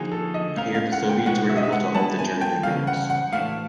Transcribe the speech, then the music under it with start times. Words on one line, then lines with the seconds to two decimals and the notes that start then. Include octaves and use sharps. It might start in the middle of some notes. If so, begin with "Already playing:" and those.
Here the Soviets were able to halt the German advance.
Already playing: D3 F3 A#3 D#4 F#4 G#4
0.12 A4
0.34 D#5
0.57 A3 C#4 F4 A#4 F5
0.74 F5
0.92 F#5
1.09 G5
1.26 B2 G#3 B3 D#4 F#4 F#5
1.49 E5
1.57 D#5
1.63 E5
1.73 F#5
1.95 G3 B3 E4 G4 B4 A5
2.19 G#5
2.41 G5
2.63 C#3 E3 G3 F5
2.87 F#5
3.10 F#5
3.32 A2 E3 A3 D4 F#4 F5